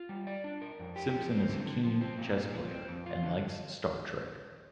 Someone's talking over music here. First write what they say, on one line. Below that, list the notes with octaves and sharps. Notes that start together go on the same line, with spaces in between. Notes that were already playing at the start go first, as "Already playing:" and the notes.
Simpson is a keen chess player, and likes Star Trek.
Already playing: F4
G3
D5
D4
A#4
F2
G4
F3
C4
D3
D3
F3
C4
A#2
A#2
F3
C4
F2
F4
D3